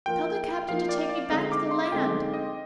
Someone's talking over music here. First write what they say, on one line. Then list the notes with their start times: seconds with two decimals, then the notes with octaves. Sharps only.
Tell the captain to take me back to the land.
0.06 F3 A#3 F4 A#4 G5
0.68 F3 A#3 F4 A#4 F5
0.89 D5
1.09 D5
1.30 D3 G#3 C4 D#4 F5
1.52 D6
1.71 C6
1.92 D3 G#3 C4 D#4 G5
2.34 D#5